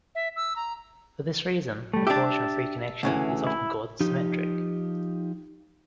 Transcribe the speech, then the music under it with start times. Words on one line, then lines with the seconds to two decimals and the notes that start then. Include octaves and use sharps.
For this reason a torsion-free connection is often called 'symmetric'.
0.15 E5
0.36 E6
0.56 A#5
1.93 G3 A3
2.07 D4 G4 E5 A5
3.03 D2 C#3 E3
3.47 E4
4.00 F3 D#4 G4